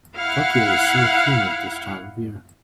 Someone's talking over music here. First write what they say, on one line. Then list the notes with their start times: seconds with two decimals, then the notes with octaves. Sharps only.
Tokyo is so humid this time of year.
0.16 E4 F5 F#5